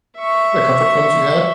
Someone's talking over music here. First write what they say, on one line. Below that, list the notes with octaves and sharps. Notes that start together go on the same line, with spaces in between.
the comfort films we had.
E5 C#6